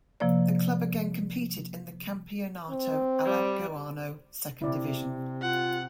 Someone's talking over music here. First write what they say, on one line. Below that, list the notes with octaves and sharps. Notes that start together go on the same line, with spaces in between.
The club again competed in the Campeonato Alagoano Second Division.
C3 F3 A#3 D5
C4
G3
C3 E4 D5
F4 F#5